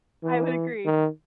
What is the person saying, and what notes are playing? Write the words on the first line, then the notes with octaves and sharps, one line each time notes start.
I would agree.
E3
D#3